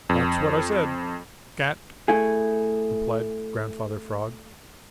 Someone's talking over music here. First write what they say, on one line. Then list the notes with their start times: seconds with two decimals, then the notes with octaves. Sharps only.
"That's what I said--can't," replied Grandfather Frog.
0.09 F2
2.08 A3 E4 G#4